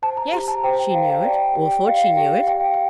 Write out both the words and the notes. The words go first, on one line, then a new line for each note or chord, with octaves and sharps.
Yes, she knew it, or thought she knew it.
C5 A5
A#5
G4 A#5
A5
C5 G5
G5
G4 F5
G5
D5 G5
G4 G5
D5 F5
G5
G4 G5
F5
D5 G5
F5
G5